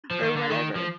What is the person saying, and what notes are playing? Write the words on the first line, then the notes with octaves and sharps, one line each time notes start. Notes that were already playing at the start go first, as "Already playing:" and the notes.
or whatever."
F3
D#3
D3
D#3
F3